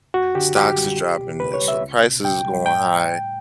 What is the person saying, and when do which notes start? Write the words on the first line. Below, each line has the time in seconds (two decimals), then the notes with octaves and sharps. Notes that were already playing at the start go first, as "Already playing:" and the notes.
"Stocks is dropping this," or "Prices is going high."
0.14 F#2 F#4
0.35 D3 G4
0.56 F#2 G4
0.77 G3
0.98 C#2
1.19 B2
1.40 C#2 B4
1.54 C#5
1.61 G3
1.68 E5
1.83 C#2
2.03 B2
2.24 C#2 G5
2.46 G3
2.66 A2 G5